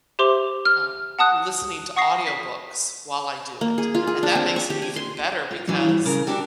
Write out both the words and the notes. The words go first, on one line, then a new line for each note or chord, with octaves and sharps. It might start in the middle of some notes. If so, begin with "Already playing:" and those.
um, listening to audiobooks while I do it, and that makes it even better because
G4 C5 E5 C6 D6 F7
F6
F#5 A5 D#6 F#6
F#5 C#6 D#6 A#6 C7
B6
A#3
G#4
F4
G#4
D4
C4
C#6
G4
G#5
C6
F4
E3 F#3 D4 F4
G2
C#3 A#4
D4 F#4 G4 A4